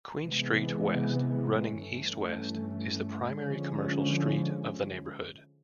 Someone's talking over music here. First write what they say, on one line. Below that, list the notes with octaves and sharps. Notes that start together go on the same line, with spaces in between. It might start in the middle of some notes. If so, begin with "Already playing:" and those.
Queen Street West running east-west is the primary commercial street of the neighbourhood.
C3 E3 G#3 B3
G2 E3 A3 C#4
D3 F3 G#3 C#4